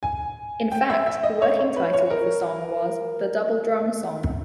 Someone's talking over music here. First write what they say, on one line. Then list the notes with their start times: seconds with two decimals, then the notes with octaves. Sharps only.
In fact, the working title of the song was "The Double Drum Song".
0.03 G#5
0.72 G5
0.90 E5
1.07 E5
1.23 D#5
1.42 C#5
1.59 C#5
1.76 B4
1.94 C#5
2.10 A#4